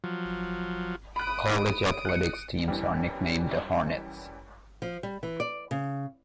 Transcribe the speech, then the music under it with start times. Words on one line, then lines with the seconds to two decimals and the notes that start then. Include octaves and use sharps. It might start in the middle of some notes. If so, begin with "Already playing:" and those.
College athletics teams are nicknamed the Hornets.
0.04 F3 F#3
1.16 B5 D#6 F#6 D7
2.05 F#6 C#7
2.68 F#2 E3 G3
4.82 F3
5.03 G3
5.23 E3
5.40 D5
5.71 C#3